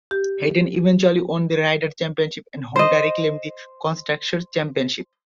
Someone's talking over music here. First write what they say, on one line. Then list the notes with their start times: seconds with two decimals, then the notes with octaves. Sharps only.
Hayden eventually won the rider championship and Honda reclaimed the constructor's championship.
0.11 G4
2.76 C5 D#5